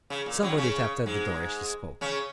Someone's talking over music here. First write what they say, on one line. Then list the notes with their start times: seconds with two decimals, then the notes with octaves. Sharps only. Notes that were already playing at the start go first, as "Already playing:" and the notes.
Somebody tapped at the door, as she spoke.
0.10 C#3
0.26 A#2
0.42 F#2 F#3
0.58 C#3 C#4
1.06 G#2 G#3
2.01 C#3 C#4